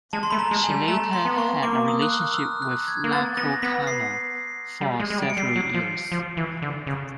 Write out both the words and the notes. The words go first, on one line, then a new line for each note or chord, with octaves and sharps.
She later had a relationship with Nacho Cano for several years.
G#3 A5
C6
A3 B5
A#5
G#3
G#5
G3
A3 A#5
C6
B3
A#3 C#6
B3
A#3 D6
D#6
F#6
F6
E6
F6
F#6
G#6
A#3
B3 A6
B3 A#6
B3 B6
C7
G3
G#3
G#3
G3
D7
C#7
G3 C7
F#3
F3
F3
E3
D3
C#3